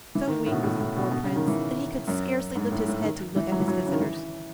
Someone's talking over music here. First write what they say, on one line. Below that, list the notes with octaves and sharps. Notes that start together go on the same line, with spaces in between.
So weak was the poor Prince, that he could scarcely lift his head to look at his visitors.
E3
D#3
A2
B2
A2
A2
B2
B2
C#3
D#3
E3
F#2
G#2
A2
A2
D#3
E3
F#3
E3
F#3
C#3
D#3
E3